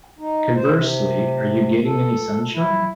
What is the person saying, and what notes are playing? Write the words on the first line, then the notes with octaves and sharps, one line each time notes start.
Conversely, Are You Getting Any Sunshine?
D#4
C5
C3
A4
E4